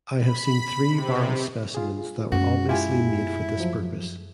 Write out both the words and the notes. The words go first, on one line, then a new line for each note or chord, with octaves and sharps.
I have seen three barrelled specimens that were obviously made for this purpose.
B5
C3
F4 G#4
F#2 G#3 F#4
E4 F4 G4 G#5
F3 F#3